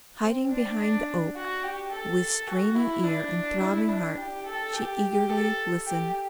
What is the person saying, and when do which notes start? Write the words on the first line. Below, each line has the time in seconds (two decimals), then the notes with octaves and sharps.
Hiding behind the oak, with straining ear and throbbing heart, she eagerly listened.
0.22 C4
0.50 D4
0.79 D4
1.35 F#4
1.63 G4
1.92 A4
2.47 F#4
2.75 E4
3.04 D4
3.60 E4
3.88 D4
4.17 G4
4.46 A4
4.74 G4
5.30 A4
5.86 G4